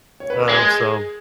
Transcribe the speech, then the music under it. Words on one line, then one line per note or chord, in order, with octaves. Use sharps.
um, so
C#5
B4
A#4
G#3 G#4